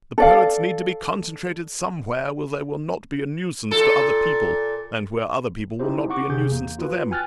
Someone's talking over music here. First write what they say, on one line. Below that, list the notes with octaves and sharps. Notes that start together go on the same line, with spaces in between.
The poets need to be concentrated somewhere where they will not be a nuisance to other people, and where other people will not be a nuisance to them.
A4 D5 F5
A#2 A4
C4 D#4 E4 G4 C5
F#5 C#6 D6
G1 C3 G#4 G6
E2 A#3
F4 F#4 B4
G5 G#5 F6 F#6 A6